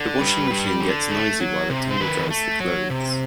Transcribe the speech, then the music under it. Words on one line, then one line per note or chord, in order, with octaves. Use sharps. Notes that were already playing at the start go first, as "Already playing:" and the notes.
The washing machine gets noisy while it tumble dries the clothes.
Already playing: D3
G3 B4
G3
D3
A3
F#3
C3
C5
D#3 B4
A3
F#3
C3